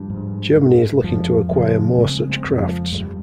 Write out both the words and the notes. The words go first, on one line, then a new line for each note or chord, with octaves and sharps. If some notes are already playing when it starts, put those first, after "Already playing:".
Germany is looking to acquire more such crafts.
Already playing: G2 F3
G#2
G#2
F2 F3
C#3 F3 G#3
C#3 G#3 C4
G#3 C4
F2
F3
G2 G#3
G3